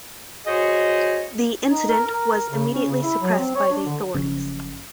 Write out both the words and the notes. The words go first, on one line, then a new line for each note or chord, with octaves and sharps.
The incident was immediately suppressed by the authorities.
F#4 G#4 C5 C#5 D#5
D#4
A#4
A#4
C#3
C#4
C#3
E4
F#3
C4
C#5
D4
D3
F#1 C#3 F3 C#4